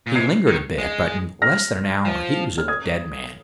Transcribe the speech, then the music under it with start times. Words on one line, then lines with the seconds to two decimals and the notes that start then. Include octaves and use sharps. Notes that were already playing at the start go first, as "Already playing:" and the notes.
He lingered a bit; but in less than an hour he was a dead man.
0.07 A#2
0.15 C3 G#6 C7
0.47 D#3
0.78 G#3
1.42 F6 A#6
2.05 F3
2.58 F6
2.68 D#6 G#6